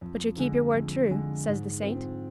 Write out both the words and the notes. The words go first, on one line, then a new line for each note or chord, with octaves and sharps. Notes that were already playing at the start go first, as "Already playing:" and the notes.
"But you'll keep your word true," says the saint.
F2
D3 G#3
F2
D3 G#3
G#2
F3 C4